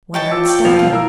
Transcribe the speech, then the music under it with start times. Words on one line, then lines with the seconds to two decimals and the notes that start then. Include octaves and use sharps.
"When art starting?"
0.14 C#5 D#5 G5 A5
0.31 F4 D6 E6
0.46 C#5 D5 G5
0.65 E1 F3 F7
0.79 F4
0.92 E4 A#4 E6